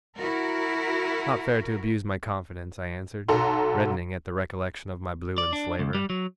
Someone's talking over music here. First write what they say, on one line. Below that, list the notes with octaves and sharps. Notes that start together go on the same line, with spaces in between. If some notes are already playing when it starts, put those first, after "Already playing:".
It's not fair to abuse my confidence,' I answered, reddening at the recollection of my blue enslaver.
E4 F#4 A#4
B1 F#4 A4 A#5 C6
D5
D4
C#2
G3
F#3